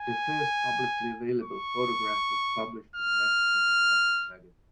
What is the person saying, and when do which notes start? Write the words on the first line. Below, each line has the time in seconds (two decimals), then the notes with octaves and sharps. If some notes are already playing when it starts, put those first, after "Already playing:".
The first publicly available photograph was published in "National Geographic" magazine.
Already playing: G#5
1.43 C#6
2.96 F6